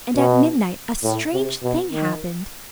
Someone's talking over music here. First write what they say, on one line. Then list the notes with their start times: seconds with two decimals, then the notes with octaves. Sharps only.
And at midnight a strange thing happened.
0.16 B2
1.03 A2
1.33 C3
1.63 B2
1.92 D#3